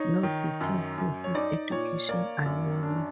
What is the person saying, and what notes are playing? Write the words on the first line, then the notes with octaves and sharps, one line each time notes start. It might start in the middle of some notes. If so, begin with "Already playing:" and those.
No details of his education are known.
Already playing: D#4 C#5 D#5
D#3
F#2
F#2
C#5
D#4 D5
A#2 C#5
A#3 D5
F#2
D4